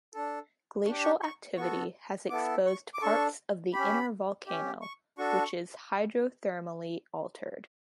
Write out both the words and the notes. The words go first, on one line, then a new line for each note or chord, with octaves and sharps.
Glacial activity has exposed parts of the inner volcano, which is hydrothermally altered.
D4 A4
D4 G4 C#6
C#6
C#6
B3 F#4 A4 C#6
B3 E4 A4 D6
C#6
D6
D4 A4 C#6
C#4 G4 B5
C#4 G4
C#6
D4 F#4 A4 C#6